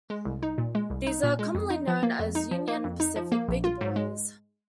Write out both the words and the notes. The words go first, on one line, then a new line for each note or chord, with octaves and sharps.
These are commonly known as "Union Pacific Big Boys".
G#3
C2
D#4
A#2
G#3
C2
D#4
A#2
G#3
F2
D#4
F3
A#3
F2
D#4
F3
A#3
F2
D#4
F3
A#3
A#1
F4
G#2
G#3